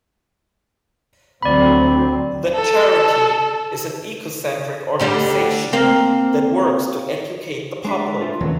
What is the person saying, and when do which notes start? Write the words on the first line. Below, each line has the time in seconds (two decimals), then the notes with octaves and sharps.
The charity is an ecocentric organisation that works to educate the public.
1.42 D2 F#3 C4 D5 B5
2.55 A4
4.99 D2 D3 G3
5.73 A#3 C4
7.85 G#3 D4 E5
8.21 A3 F4
8.41 D#1 D#2 C#3 E3 F#3 A3